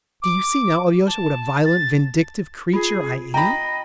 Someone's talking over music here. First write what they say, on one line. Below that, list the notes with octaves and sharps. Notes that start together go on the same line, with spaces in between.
Do you see now, Alyosha, what a violent, vindictive creature I am?
D6
A5
A6
F4 G#4
D#5 G5 A#5 B5